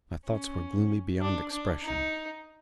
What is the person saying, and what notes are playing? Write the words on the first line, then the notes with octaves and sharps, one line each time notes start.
My thots were gloomy beyond expression.
C#4
D4
D4
D#4